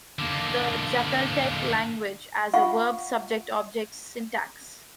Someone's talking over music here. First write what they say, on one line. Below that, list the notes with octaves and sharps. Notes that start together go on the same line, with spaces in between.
The Jakaltek language has a verb-subject-object syntax.
D3 A#3
F4 F5 F#5 C#6